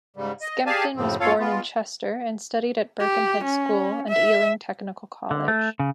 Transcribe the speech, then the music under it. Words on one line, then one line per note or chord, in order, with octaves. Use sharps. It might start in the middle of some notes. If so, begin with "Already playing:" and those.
Skempton was born in Chester and studied at Birkenhead School and Ealing Technical College.
G#2 C#3 G3
D#5
G4 G#4 D5 F5 G#5 A5
F#2 A2 C#3 F3 C4
F#2 A#2 F4 A4 C#5 F5
G#3 B3 F4
G4
C#4
E5
D3
A3
C#3